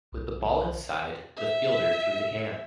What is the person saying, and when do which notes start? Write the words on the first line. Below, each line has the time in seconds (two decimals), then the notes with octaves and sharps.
With the ball inside, the fielder threw the can.
0.12 B1
1.37 E5